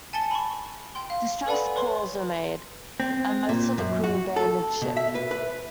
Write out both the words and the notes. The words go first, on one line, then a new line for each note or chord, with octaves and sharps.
Distress calls were made, and most of the crew abandoned ship.
G#5 A5 A6 C#7 G7
B5 C#6
G5 C6
F5
A4 B4 D5 F#5 G#5 B5
B4 C#5 C6 C#6
C4
A#2
F#2
F#4
A4
B2
E5
B4
B4